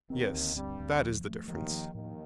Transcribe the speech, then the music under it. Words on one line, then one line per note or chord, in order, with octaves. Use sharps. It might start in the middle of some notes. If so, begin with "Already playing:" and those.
Yes, that is the difference.
D#2 D#3 C4
D2
G2 G3 C4
D2
F3
A3
D#2 D#3 F3
F3
D#2 A2 D#3